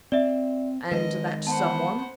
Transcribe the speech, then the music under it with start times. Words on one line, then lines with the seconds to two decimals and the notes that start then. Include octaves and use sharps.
"And that someone?"
0.12 C4 D5 E5
0.91 D#3 G#3 B4 D#5
1.47 B3 C5 F#5 A5